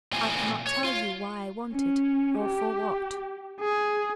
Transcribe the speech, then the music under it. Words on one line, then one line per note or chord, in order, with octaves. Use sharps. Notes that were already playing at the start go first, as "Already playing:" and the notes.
I cannot tell you why I want it or for what.
A#2 E3 A3 C4 F4 G#5
C#5
F4 F5
C#4
G4
G#4